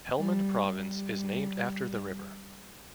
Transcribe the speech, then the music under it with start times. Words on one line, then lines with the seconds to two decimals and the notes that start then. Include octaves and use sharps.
Helmand Province is named after the river.
0.18 G3
0.70 G3